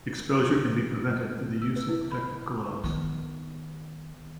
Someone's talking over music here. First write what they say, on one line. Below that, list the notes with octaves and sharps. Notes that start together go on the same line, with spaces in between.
Exposure can be prevented through the use of protective gloves.
E6
B4
E4
B5
D#3 B3